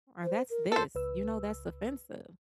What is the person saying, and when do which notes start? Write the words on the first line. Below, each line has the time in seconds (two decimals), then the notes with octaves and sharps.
or "That's this," you know, "That's offensive,"
0.24 C5
0.50 A#4
0.72 A4 A#4 C5
0.95 C#2 B4 E6